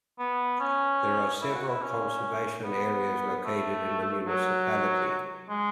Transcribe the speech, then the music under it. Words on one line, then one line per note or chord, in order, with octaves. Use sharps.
There are several conservation areas located in the municipality.
B3
C#4
E4
F#4
E4
C#4
B3
A3
F#3
G#3